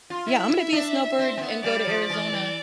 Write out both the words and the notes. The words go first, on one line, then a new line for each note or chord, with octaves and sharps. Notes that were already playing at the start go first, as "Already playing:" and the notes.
Yeah, I'm gonna be a snowbird and go to Arizona.
F4
E4 E5
E4
D4
C4
C4
B3
G3 D5
F3
E3
E3